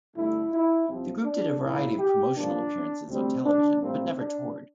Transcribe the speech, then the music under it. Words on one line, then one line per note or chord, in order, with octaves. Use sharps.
The group did a variety of promotional appearances on television, but never toured.
G2 D3 A3 E4
E4
C2 C3 F3 C4
D4
A#1 A#2 F3 A#3 E4
G4
G2 D3 F3 A#3 D4
D2 C3 G3 C4
D4
A#1 A2 G3 A#3 C4
D4